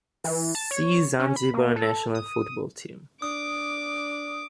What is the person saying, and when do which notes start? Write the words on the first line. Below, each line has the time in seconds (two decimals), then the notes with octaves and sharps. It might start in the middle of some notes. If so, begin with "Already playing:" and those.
See "Zanzibar national football team".
0.24 E3
0.55 A5
0.71 C#5
1.19 C#4
1.36 B5
1.54 A#3
1.76 A4
2.15 D#6
3.22 D4 D6 D#6